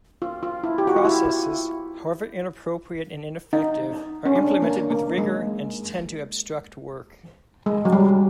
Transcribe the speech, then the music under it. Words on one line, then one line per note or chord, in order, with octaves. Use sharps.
Processes, however inappropriate and ineffective, are implemented with rigor and tend to obstruct work.
F4
F4
E4
G4
F#4
F4
E4
D#4
C#4
D4
A#3
A#3
G#3
G#3
F#3
G3